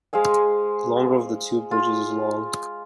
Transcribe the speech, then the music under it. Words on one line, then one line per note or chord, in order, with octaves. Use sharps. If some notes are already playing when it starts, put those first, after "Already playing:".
The longer of the two bridges is long.
G#3 C5 F5 G#5
F4